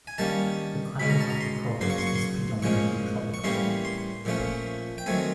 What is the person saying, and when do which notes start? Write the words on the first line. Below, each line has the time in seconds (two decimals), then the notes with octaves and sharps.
The climate of the province is predominantly tropical.
0.07 G#5
0.18 D#3 G3 A#3 C#4 A5
1.00 B2 G#3 C#4 B5
1.10 A#5
1.21 A5
1.30 A#5
1.41 C6
1.81 C#3 F#3 A#3 C6
1.90 C#6
1.98 C6
2.07 C#6
2.16 C6
2.62 A#2 F3 G#3 C#4 C#6
3.34 C#6
3.44 A2 E3 G3 A#3 C#4 C6
3.85 C6
4.25 A#2 F3 A3 C#4
4.98 G5
5.06 D#3 F#3 A3 C4 G#5